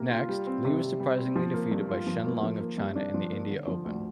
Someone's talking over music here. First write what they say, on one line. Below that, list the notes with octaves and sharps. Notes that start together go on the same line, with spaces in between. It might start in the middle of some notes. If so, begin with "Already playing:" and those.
Next, Lee was surprisingly defeated by Chen Long of China in the India Open.
Already playing: C3 A#3 A#4
F4
G3
C4
C3
C3
G3
C4
F3
A#3
G2
F4
F3
A#3
F3
A#3
G2
D4
F3
A#3
D3
F3
D2